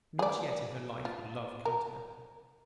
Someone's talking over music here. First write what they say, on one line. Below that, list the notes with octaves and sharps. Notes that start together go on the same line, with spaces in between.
Not yet in her life had love come to her.
G#4 D5
F4
A#4